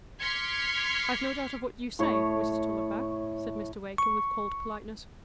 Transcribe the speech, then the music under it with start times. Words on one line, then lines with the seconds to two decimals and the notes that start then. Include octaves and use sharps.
"I've no doubt of what you say, Mrs. Tulliver," said Mr. Wakem, with cold politeness.
0.22 C6 D6 F6 G#6 B6 C#7
1.99 A2 C#5
3.98 C#6